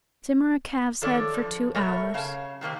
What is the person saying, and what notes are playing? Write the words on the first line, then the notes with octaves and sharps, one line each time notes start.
Simmer a calves' head for two hours.
D#3 F3 A4 C#5 D5
D3 F3
B2 A3 A#4 C#5
F#2 C#3 C#5 F5 A5
C3 D#3 A#3 C4